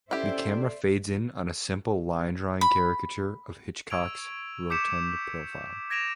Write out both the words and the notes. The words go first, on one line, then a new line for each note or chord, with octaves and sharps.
The camera fades in on a simple line-drawing caricature of Hitchcock's rotund profile.
C#4 E4 G4 A4 C5 D5 E5
B5
C#6 E6 G#6 D7 F7
D6 G6 B6 C#7 E7
G#6 A#6 D7 E7 F7